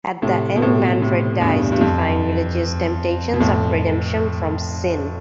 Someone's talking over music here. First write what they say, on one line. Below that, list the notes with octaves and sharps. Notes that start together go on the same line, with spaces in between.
At the end, Manfred dies, defying religious temptations of redemption from sin.
A2 C3
B2
A2 C3
A2 C3
E2 G2
G2
F2
B2
F2 A2